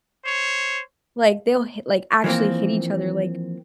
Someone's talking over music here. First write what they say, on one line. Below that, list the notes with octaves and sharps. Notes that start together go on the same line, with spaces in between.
like, they'll hit like, actually hit each other, like
C5 C#5
E3 F3 G3 A#3 C4